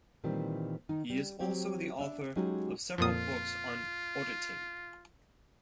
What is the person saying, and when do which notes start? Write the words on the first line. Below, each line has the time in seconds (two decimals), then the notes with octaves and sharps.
He is also the author of several books on auditing.
0.24 A#2 D#3 E3 G3 C4
0.89 D#3 D#4
1.10 G3
1.40 F#3 C4 G4
1.99 D4 E5
2.36 F#3 G#3 C#4 D#4 F#4 G4
2.98 F2 A#2 F4 D#6